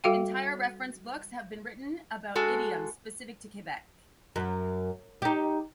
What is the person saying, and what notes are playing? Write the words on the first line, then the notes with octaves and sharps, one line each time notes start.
Entire reference books have been written about idioms specific to Quebec.
G3 F#4 A4 F5 G5
G#3 F#4 A4
F#2
D#4 G4